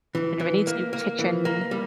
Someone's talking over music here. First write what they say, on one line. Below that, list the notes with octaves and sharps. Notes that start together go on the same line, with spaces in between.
Like, if it needs new kitchen
E3
E3
A#3
A#3
E3
A#3
G3